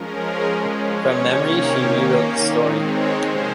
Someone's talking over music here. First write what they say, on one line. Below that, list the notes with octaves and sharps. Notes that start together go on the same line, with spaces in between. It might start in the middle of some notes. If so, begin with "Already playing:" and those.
From memory, she rewrote the story.
Already playing: F3 G#3 C#4 A#4
G#4
F3 G#3 C#4 C5
C#5
C3 D#3 A#3 C#4 C#5
G5
D#3 A#3 C#4 F5
D#3 G#3 C4 D#5
C#5
C3 F3 G#3 C#4 C5